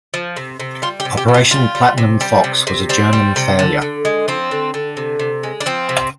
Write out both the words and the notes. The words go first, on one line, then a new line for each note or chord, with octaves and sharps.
Operation Platinum Fox was a German failure.
F3
C3
C3
G3 F4
G4
C3
G4
C3
F4
G3 F4
G3
C3
G3
C3
C3
G3 C4
G3
C3
D3
D3
G#3
F3 C4
D3
D3
C3
C3
G#3
D4
F3 C4
C3